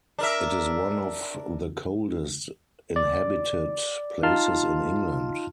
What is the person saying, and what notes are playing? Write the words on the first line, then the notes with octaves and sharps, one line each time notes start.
It is one of the coldest inhabited places in England.
D4 A#4 E5
D5
D#4 F4 A5 C6 F6